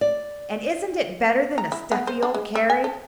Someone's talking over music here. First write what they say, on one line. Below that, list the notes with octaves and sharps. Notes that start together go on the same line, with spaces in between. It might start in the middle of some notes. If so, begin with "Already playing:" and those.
"And isn't it better than a stuffy old carriage?"
D5
A#5
E4
B3
C5
D4
G#3
E5
G#5
A4